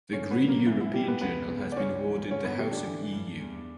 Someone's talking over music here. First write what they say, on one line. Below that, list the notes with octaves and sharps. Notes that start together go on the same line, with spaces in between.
The Green European Journal has been awarded the House of eu.
D3 C#4 C#5
B3 B4
F#3
A#3 A#4
E3 E4
E4
E3 G3 G4
B3 B4
C#2 B3 B4
C#3
D5
C#2 C#4 C#5
E3
D3 C#4 C#5
B3 B4
D3 G3 G4
D4
E3
G2
E2